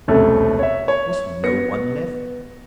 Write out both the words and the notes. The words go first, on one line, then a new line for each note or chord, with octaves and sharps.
Was no one left?
E1 C2 F2 A3 C#4 A4
C#5 E5
C#5
B3 A#6 C#7